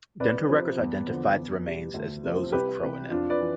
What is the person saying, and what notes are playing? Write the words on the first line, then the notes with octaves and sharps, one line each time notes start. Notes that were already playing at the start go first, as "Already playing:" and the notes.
Dental records identified the remains as those of Kroenen.
C2 B4 D5
C3 F3
E2
D3 F3
E2
B2 G3
D2
C3 F3
C2 G4 B4
C3 E3
F2 D4 F4
B4 D5
E3